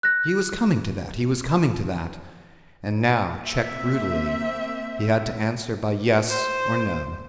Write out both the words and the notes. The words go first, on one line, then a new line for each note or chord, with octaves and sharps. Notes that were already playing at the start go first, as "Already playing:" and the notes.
He was coming to that, he was coming to that--and now, checked brutally, he had to answer by yes or no.
F#6 A#6
A#3 C4 E5
C5